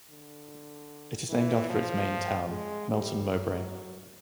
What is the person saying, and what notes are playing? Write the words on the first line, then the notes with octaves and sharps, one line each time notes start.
It is named after its main town, Melton Mowbray.
D3
E3
F3
G#3
G3
F#3